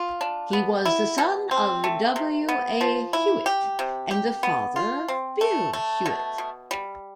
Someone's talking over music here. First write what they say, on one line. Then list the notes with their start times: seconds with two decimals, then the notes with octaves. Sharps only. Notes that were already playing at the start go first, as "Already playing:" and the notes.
He was the son of W. A. Hewitt, and the father of Bill Hewitt.
Already playing: F4
0.21 D4
0.53 B3
0.85 E4
1.18 B2
1.51 C4
1.84 A3
2.16 C3
2.49 B3
2.81 F3
3.13 E4
3.46 G4
3.79 C3
4.11 G4
4.43 B3
4.76 F4
5.08 C4
5.41 A3
5.73 A3
6.06 B2
6.38 B2
6.71 G3